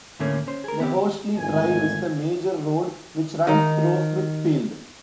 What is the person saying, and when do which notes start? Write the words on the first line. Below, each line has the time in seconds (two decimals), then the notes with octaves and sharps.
The Horsley Drive is the major road which runs through Smithfield.
0.19 D2 A2 D3 A3 A#3 C#4
0.47 C#4 C5
0.64 G#4 A#4
0.80 B3 C4 G4
1.36 G#1 E2 A#2 A3 G#5
3.47 D#3 D#4